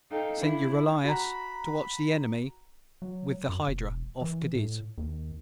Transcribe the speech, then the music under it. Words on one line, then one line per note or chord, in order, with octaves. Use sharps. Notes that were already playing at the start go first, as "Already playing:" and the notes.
Sent Euryalus to watch the Enemy with the Hydra off Cadiz.
D#4 A4 F5 G5
D4 E4
F#4 A#5 B5
F#3
F#2
E1
E3
A2
D#2